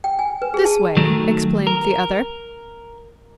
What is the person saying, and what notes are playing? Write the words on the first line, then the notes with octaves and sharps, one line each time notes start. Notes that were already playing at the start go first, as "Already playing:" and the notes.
"This way," explained the other.
G5
G#5
B4
G#4
A5
D#3 F#3 A3
A#4